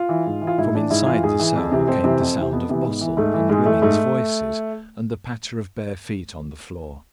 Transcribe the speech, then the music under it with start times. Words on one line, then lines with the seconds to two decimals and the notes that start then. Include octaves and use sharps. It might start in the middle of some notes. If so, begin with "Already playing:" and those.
From inside the cell came the sound of bustle and women's voices, and the patter of bare feet on the floor.
Already playing: F4
0.09 E3
0.26 G#2
0.42 E3
0.47 F4
0.58 G#2 E4
0.75 E3 D4
0.90 G#2 E4
1.06 E3 F4
1.23 G#2 G#4
1.40 E3
1.55 F2
1.72 C3 E3
1.88 F2 C4
2.04 C3 E3
2.20 F2
2.36 C3 E3
2.52 F2 B3
2.69 C3 E3
2.86 G#2
3.01 E3
3.17 G#2 A3
3.34 E3
3.49 G#2 G#3
3.65 E3 A3
3.82 G#2 A3